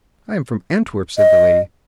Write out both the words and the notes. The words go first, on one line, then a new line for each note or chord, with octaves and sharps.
"I am from Antwerp," said the lady.
D#5